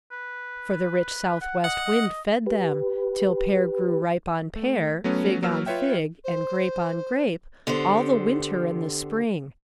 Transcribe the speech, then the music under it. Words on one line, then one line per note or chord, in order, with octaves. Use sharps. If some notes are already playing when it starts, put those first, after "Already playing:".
For the rich southwest wind fed them, till pear grew ripe on pear, fig on fig, and grape on grape, all the winter and the spring.
B4
F#5
D#5 F#5
D#5
G4 B4
A3
F#3 A3 B3 C#4
F#3 A#3 B4 E6 F6
F4 B4 C#5 E5 G5
C5
D3 B3 G4 C5